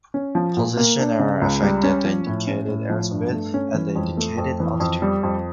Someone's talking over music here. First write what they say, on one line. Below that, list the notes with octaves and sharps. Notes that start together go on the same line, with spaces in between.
Position error affects the indicated airspeed and the indicated altitude.
C#4
F3
A#2
A#3
D4
C#3
C#2
G3
C#4
F3
A2
C#4
A2
F3
G2
A3
C#4
E3
F2
A3
F2
E3
F2
G3
F2